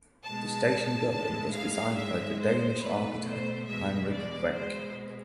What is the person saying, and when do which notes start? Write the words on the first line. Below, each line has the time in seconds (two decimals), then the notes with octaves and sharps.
The station building was designed by the Danish architect Heinrich Wenck.
0.24 B2 G#3 A5
1.11 A2 G#3 A5
1.53 F5
1.96 G#2 G#3 E5
2.39 C5
2.82 B2 A3 B4
3.25 C5
3.68 E2 B2 G#3 E5
4.11 D5
4.54 B2 G#3 C5